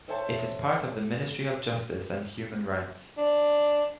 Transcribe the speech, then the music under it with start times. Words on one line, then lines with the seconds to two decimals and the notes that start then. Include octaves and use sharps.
It is part of the Ministry of Justice and Human Rights.
0.08 A4 C5 C#5 E5 F#5 A5
3.18 D4